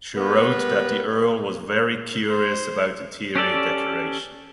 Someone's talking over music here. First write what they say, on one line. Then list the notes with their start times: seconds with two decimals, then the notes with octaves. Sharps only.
She wrote that the Earl was "veri curious" about interior decoration.
0.15 G3 B3 A#4 B4
2.29 C5
3.35 C#4 G4 A4 D5